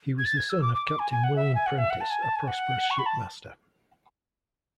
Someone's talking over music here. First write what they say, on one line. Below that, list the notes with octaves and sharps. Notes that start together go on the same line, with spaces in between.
He was the son of Captain William Prentiss a prosperous shipmaster.
G#6
A6
G#6
E6
D6
D6
D6
G#5
G#5
F#5
E5
G#5
F#5
E5
F#5
A5
G#5
A5
G#5
F#5
C#6
B5
A5